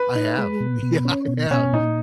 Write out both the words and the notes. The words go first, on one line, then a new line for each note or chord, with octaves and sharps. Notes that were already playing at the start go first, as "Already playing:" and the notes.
I have. Yeah, I have,
Already playing: B4
D#4
G#3
B2
B2
C#4
B2
B2 C#4
A#2 D#4